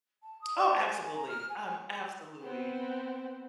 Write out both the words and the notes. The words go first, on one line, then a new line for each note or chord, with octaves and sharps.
Oh, absolutely, um, absolutely.
A5
D#6
D5
C5
G#5
A#5
F6
G#5
B3 C4